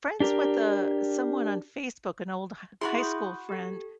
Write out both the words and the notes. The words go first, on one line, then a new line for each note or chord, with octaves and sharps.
friends with, uh, someone on Facebook, an old h high school friend
D4 G4 A#4
E4 F#4 G#4 E5 B5 C6
D#6 G6
G4 A4